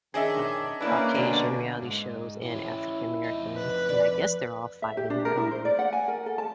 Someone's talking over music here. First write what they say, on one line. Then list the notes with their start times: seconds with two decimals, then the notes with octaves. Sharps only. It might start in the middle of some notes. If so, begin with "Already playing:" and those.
uh, Caucasian reality shows and African American, and I guess they're all fighting, I don't know.
0.14 D#3 C#4 D4 G#4 D#5 E5
0.81 A#3 C#4 D4 E4 B4 D5
1.15 B2 D3 F#3 G3 D4
1.82 G#2
2.42 C#4 E4 G4
3.24 F2 D#4
3.56 B4
3.89 D5
4.82 E5
4.97 G4
5.10 D4
5.25 A#4
5.37 E4
5.51 C5
5.65 D5
5.79 F#5
5.93 G#5
6.08 A#4
6.26 A4
6.38 A5